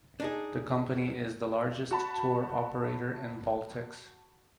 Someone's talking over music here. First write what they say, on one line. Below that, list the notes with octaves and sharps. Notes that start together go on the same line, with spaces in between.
The company is the largest tour operator in Baltics.
D4 D#4 G#4
F#4 A5 B5